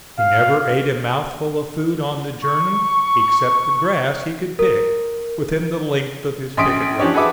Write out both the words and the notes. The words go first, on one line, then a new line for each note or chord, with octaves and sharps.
He never ate a mouthful of food on the journey except the grass he could pick within the length of his picket rope.
F5
C#6
A#4
A#1 C#4 C6 D#6 B6 D7
F3 C#4 D4 G4 C#5
F#4 G#4 A4 B4 E5 D6